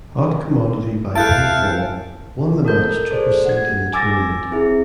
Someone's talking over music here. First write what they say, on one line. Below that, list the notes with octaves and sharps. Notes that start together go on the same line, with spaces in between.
Hot Commodity by pinfall won the match to proceed in the tournament.
E4 A4 F5 A5 F#6 G6 D7
A4 A#4 G6
G#4 A4 C5 D5
F#5 G#6
G#5 D6 E6 A6 A#6
C4 E4 G#4